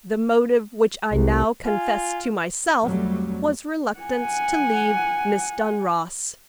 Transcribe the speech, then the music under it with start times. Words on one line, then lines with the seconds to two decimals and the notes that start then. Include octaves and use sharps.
The motive which I now confessed to myself was reluctance to leave Miss Dunross.
1.12 C2
1.66 F4 G#5
2.83 F2 F#3 G3 A3
3.99 F#5 G#5